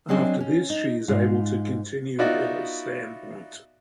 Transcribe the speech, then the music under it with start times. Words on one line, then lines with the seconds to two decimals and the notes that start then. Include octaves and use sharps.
After this, she is able to continue her standpoint.
0.08 F#3 C4 D4 G#4 C#5 D#5
0.40 C#4
0.70 D#4
1.08 G#2 F4
2.19 B3 D#4 F4 F#4 D5 E5